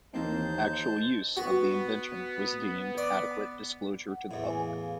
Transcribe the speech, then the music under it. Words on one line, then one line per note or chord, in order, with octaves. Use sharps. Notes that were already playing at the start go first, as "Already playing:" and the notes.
Actual use of the invention was deemed adequate disclosure to the public.
D#2 E3 A#3 C4 D#4 C5 A5 G6
B3 F#4
D5
F#5
E2 A2 E5
G#5
F5